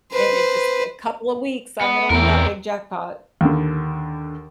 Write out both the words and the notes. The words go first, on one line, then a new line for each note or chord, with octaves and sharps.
and in just a couple of weeks, I'm gonna win that big jackpot."
B4 C5
B3
E2 C4 A#4
D#2 D3